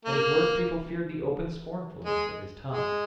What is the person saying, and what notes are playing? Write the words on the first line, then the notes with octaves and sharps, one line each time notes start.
At his worst people feared the open scornfulness of his tongue.
A#3
G#3
G#3